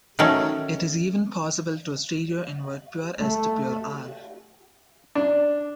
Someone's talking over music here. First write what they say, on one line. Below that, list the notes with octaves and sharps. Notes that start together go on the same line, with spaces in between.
It is even possible to stereoinvert pure S to pure R.
D#3 F#3 A3 C#4
A3
D4